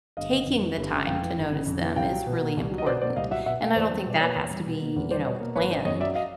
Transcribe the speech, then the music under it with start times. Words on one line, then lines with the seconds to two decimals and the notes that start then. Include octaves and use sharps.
taking the time to notice them is really important. And I don't think that has to be, you know, planned.
0.17 G1 D#5 F5
0.33 C#3
0.47 F2
0.62 E3
0.77 G1
0.92 C#3
1.06 F2 F5 G5
1.22 E3
1.37 G1
1.52 C#3
1.67 F2
1.82 E3
1.96 C2 F5 G5
2.12 F#3
2.26 B2
2.42 A#3
2.57 C2
2.71 F#3
2.78 D#5
2.86 B2 C5 D5
3.01 A#3 C5 D5
3.16 C2 D#5 F5
3.31 F#3 E5 F#5
3.46 B2 E5 F#5
3.61 A#3 F5 G5
3.76 E2 C5 D5
3.91 G3
4.06 B2 D5
4.21 A#3 B4 C#5
4.36 E2
4.51 G3
4.66 B2
4.81 A#3
4.96 E2
5.10 G3 C5 D5
5.25 B2 C#5 D#5
5.40 A#3
5.55 G#1 B4 C#5
5.70 D#3 C5 D5
5.85 F#2 C#5 D#5
6.00 F#3 D5 E5
6.15 D#5 F5